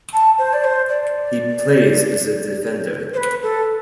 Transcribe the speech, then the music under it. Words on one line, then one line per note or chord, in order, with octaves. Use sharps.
He plays as a defender.
A5
C5
D5
C5
D5
C5
B4
A4